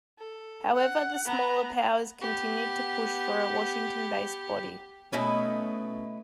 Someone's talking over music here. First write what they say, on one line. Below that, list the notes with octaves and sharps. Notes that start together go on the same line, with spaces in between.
However the smaller powers continued to push for a Washington-based body.
A4
F#5
B3 A#5
B3 G4
B2 A3 C#4 D#4 E4 B4